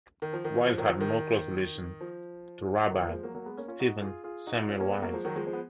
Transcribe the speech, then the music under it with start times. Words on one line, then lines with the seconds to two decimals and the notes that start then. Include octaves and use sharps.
Wise had no close relation to Rabbi Stephen Samuel Wise.
0.22 D#3
0.33 F3
0.44 D#3
0.55 F3
0.67 F3
0.78 D#3 F#3
0.89 F3
1.01 D#3
2.01 F3
2.90 D#3 F#3
3.01 F3
3.08 A#3
3.12 F3 G#3
3.23 F#3 A#3
3.35 F#3 A#3
3.46 G#3 B3
3.57 A#3 C#4
3.68 C#4 F4
3.80 D#4 F#4
4.02 F4 G#4
4.24 F4 G#4
4.47 D#4 F#4
4.68 C#4 F4
4.80 A#3 C#4
4.91 G#3 B3
5.02 F#3 A#3
5.13 F3 G#3
5.24 D#3 F#3
5.36 F3 G#3
5.47 F3 G#3
5.53 B3